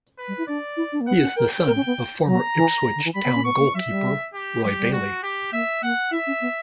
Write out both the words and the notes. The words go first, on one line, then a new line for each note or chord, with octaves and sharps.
He is the son of former Ipswich Town goalkeeper Roy Bailey.
B4
G3
E4
D4 D5
E4
D4
A#3
B3 F#5
C#4
A#4 G5
A#4
C#4
B3
F#3 A#5
E3
D3
E3
G3 B5
B3
C#4
B3 C#6
A#3
F#3 E5
G3
G4
F#3 G4
G3
F#4
G4
A#3 E5
A#3 F#5
E4 E5
C#4
B3